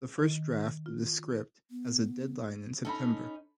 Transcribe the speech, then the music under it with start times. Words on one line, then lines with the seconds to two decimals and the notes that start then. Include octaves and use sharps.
The first draft of the script has a deadline in September.
0.18 D#3
0.86 F4
1.71 B3
2.85 C#4 D#4 A4 A5 B5